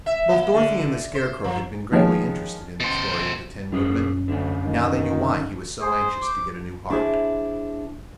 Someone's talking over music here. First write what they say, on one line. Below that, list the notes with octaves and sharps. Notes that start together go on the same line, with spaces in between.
Both Dorothy and the Scarecrow had been greatly interested in the story of the Tin Woodman, and now they knew why he was so anxious to get a new heart.
E5
A#3
D3
C5
F3
D#3 F3 G#3 B3 C#5
B2 C5
F#2 F4 G#4 A#4
D2 D3 C#4
D#3
G#4 C5
D6
D4 E4 G#4 C5